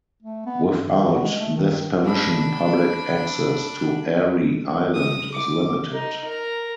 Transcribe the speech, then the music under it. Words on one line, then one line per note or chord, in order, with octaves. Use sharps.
Without this permission, public access to Arey Island is limited.
A3
B3
G2
D#3
F#4
G#3
A3
D#3
D4 B5
D#6
D6
D#4
A#4